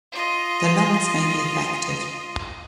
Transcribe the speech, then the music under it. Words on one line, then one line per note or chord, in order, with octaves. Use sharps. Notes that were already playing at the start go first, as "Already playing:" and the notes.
The lungs may be affected.
F4 D#5